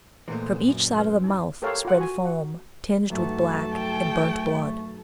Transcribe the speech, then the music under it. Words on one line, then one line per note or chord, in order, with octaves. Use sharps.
From each side of the mouth spread foam, tinged with black and burnt blood.
A#2 E3 G#3 A3 B3 E4 C5
F#2
B4
D#4 E4
G4 A4 A#4 C5 C#5 F5
F4 F#5
F#4 G#5
F#5
B1 G2 A3 A4 A5
G5